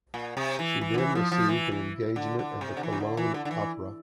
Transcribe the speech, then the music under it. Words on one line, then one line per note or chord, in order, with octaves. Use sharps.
She then received an engagement at the Cologne Opera.
A#2
C3
E3
E3
D3
E3
F3
F3
E3
E3
D3
D3
C3
D3
E3
C3
D3
E3
D3
D3
E3